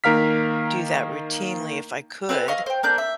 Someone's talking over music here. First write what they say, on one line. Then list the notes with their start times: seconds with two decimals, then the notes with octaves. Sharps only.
do that routinely if I could,
0.04 D#3 A#3 A#4 F5 F6 B6
2.29 C4 B4 G#5
2.48 D#5 F5 C#6
2.66 C5 G5
2.83 A#3 D4 G6
2.98 E5